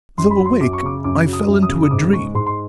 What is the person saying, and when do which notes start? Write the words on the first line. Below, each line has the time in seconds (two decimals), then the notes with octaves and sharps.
Though awake I fell into a dream.
0.18 F#2 C6
0.31 B5
0.38 F#3
0.45 C6
0.61 F#2 D6
0.73 C#6
0.83 C#3 D6
1.04 F#2 D6
1.27 F#3
1.33 D#6
1.48 F#2
1.63 D#6
1.69 C#3
1.84 D#6
1.91 G#2 D6
2.12 G#3 C#6
2.35 G#2 C6
2.47 C6